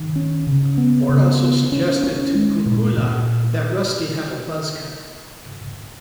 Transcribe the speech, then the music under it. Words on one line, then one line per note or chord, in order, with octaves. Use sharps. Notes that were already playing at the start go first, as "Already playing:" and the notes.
Ford also suggested to Pakula that Rusty have a buzz cut.
Already playing: D#3
C#4
C#3
B3
C#3
B3
C#4
C#4
G#3
A#2
A#2